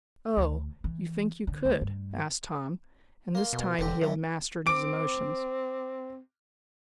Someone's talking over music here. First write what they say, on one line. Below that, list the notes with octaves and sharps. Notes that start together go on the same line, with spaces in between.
"Oh, you think you could?" asked Tom, and this time he had mastered his emotions.
D2
E3
D3
D2
G2
A#3 C6
B2
E1 D3 C4 G4
F#2 D#3 E3
C4 D6 D7